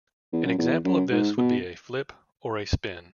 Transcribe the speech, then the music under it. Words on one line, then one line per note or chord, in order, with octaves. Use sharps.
An example of this would be a flip, or a spin.
E2
F#2
E2
F#2
G#2
B2